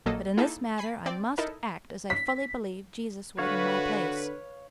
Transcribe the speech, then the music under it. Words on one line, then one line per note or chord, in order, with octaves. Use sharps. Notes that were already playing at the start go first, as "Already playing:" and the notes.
But in this matter I must act as I fully believe Jesus would in my place.
A#1 F#3 A#3 A4 D#5
A#3 D#4 E4 G#4 A4
G#5 B5 B6 C7
C4 D5 G5
D#4 E4 A4 A#4 D#5 A5
B6
D3 F#4 B4 C#5 F5